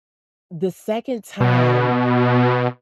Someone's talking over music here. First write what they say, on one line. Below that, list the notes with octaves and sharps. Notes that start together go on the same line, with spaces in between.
the second time
B2